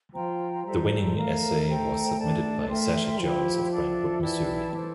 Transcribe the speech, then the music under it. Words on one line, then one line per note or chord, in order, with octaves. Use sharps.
The winning essay was submitted by Sasha Jones of Brentwood, Missouri.
F3 F4 C5 G5 A#5
G3 A4 C5 E5 A#5
A3 A#4 F5 A#5
A4 C5 G5 A#5
D4 A4 D5 A5
A3 A#4 E5 G5 C6
F3 E4 G4 C5 G5
D4 A4 E5
E3 E4 G4 D5 A5
D4 A4 C5